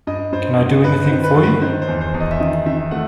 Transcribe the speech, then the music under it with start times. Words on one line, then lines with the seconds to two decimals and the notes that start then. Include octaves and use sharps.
Can I do any thing for you?
0.07 G2 D#5
0.32 G2 C5
0.58 G2 D#5
0.84 G2 B4
1.04 C5
1.11 D#3
1.24 B4
1.36 G2
1.43 B4
1.62 D#3 C5
1.82 C5
1.88 E2
2.01 C5
2.14 E2
2.21 D#5
2.31 E5
2.40 D#3 D#5
2.66 D#3 E5
2.91 A3 F#5